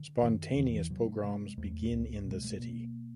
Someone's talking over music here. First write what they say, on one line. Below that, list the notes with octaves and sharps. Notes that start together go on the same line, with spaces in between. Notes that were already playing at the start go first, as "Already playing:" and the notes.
Spontaneous pogroms begin in the city.
Already playing: D3
F#2 D#3
E2 D#3
E3
C3 F#3
A3
C3 G#3
E2 A3
C#2
B2
G#3
A3
B2 A#3